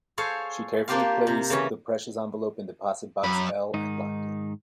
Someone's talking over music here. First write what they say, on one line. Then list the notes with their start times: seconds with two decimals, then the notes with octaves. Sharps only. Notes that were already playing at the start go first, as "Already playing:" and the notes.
She carefully placed the precious envelope in deposit box L and locked it.
0.18 G#4 A4 C5 C#5 F5
0.88 A#3 D4 F4 G4 C5 F5
1.27 C3
1.50 C#3 E3 C#4
3.24 F#2 B5
3.74 G#2 D#3 D#4